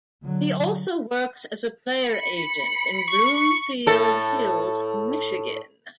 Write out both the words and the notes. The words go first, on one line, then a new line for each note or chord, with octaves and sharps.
He also works as a player agent in Bloomfield Hills, Michigan.
D3 F#3
B5 C#7
C#6
A2 A4